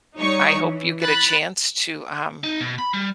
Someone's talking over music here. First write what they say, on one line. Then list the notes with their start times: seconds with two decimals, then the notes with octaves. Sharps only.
I hope you get a chance to um
0.18 G3 D#4 C#5 C#6
0.62 E3
1.03 B5 F#6 A6
2.44 D#4
2.60 B2
2.79 B5
2.94 G3